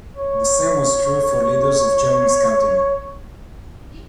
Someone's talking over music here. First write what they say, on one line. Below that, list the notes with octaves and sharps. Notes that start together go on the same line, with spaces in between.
The same was true for leaders of German Scouting.
C#5